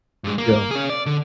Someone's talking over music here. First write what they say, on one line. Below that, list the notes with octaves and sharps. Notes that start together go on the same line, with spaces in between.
you know?
G2 G#3
A#3
C#4 G#4
D5
D3